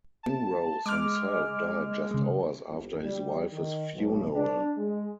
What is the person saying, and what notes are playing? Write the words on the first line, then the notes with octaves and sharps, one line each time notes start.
Ringrose himself died just hours after his wife's funeral.
A5
G#3 D6 F6
C#3 G#3
G1
G3
D#3
B1
D4
G#3